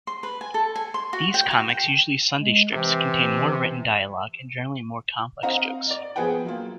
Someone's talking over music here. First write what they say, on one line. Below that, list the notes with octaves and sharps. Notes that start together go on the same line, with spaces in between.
These comics, usually Sunday strips, contain more written dialogue and generally more complex jokes.
C6
B4
G#5
A4
G#5
C6
F#4
G5
F#4
G5
G#3
C3 E3
C4 D#5 F5 F#5 A#5
D5 D#5
F3 B3 G#4 B4 F#5 G5
F#3 A#3 F4